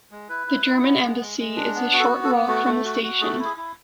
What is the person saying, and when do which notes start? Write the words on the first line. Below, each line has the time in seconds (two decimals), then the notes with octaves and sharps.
The German Embassy is a short walk from the station.
0.11 G#3
0.29 E4 B4
0.47 E4
0.66 E4
0.84 B3
1.01 G#3
1.20 G#3
1.39 G#3
1.56 D4
1.75 B3
1.93 F#4
2.00 A4
2.12 B3
2.24 A4
2.29 B3
2.48 A3 F#4
2.66 A3
2.85 F#4
3.03 F#4
3.21 A3 G#4
3.39 E4
3.45 G#4
3.57 E4